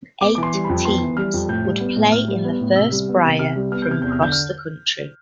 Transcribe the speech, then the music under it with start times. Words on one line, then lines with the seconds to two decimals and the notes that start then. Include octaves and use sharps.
Eight teams would play in the first Brier, from across the country.
0.21 B3 D6
0.35 D6
0.38 E3 C6
0.54 G3
0.64 B5
0.69 F2
0.85 B3 C6
1.02 E3
1.17 G3 F6
1.34 F2
1.48 A2 G6
1.65 G3
1.80 B3
1.96 A2
2.12 A2 F6
2.28 G3
2.44 B3
2.61 A2
2.76 C3 E6
2.92 G3
3.09 B3
3.24 C3
3.39 C3 F6
3.56 G3
3.72 B3 F6
3.82 G6
3.88 C3 F6
4.02 E2 G6
4.12 F6
4.19 D3 G6
4.32 F6